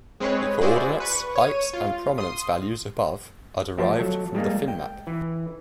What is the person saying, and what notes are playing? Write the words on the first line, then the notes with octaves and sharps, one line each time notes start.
The coordinates, heights and prominence values above are derived from the Finnmap.
G#3 C4 G#4 B4 C#5
E4 F#4 G#4 C5 D5
B4 C#6
C#5 D#7
F4
C6 D#6
F3 A3 G4 A4 C5
F#3 A4
G3 G#3 A#3
G5
E3